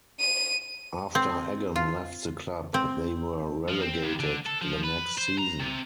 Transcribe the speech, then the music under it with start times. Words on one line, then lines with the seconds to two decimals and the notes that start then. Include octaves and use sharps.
After Eggen left the club, they were relegated the next season.
0.20 D#7
1.15 C4
1.76 F4
2.74 C4
3.69 F3
3.81 C4
4.03 D#2
4.20 D3
4.46 A4
4.62 F3
4.84 B4
5.18 C5
5.39 A#5
5.60 C3